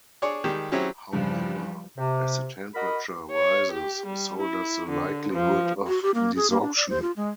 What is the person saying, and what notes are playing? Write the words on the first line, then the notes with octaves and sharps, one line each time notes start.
However, as the temperature rises, so does the likelihood of desorption.
D4 G#4 C#5 D5
D#3 G3 G#3 G4
F#3 C4 C#4 E4 G4 G#4
E2 G2 C#3 F3 G3
C3
F#4 A#4 D#5 B5
C#5
G4
G3
E4
D3
F3
F#4
G4
A#3
G#4
A#3
D4
D5
C5
F4
G#3